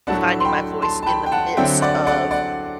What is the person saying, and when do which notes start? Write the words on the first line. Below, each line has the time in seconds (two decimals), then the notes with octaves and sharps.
finding my voice in the midst of
0.07 A2 F#3 A3 D4 F#5 A5
0.40 C6
0.45 G5 B5
0.82 A5 C6
1.03 A5
1.06 G5 B5
1.26 G5
1.32 F#5 A5
1.57 D3 F#3 C4 E5 G5
1.81 D5 F#5
2.06 D5 F#5
2.31 D5 F#5